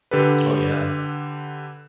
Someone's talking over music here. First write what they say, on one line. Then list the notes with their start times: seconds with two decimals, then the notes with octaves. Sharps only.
Oh, yeah.
0.11 D3 G4 A4 B4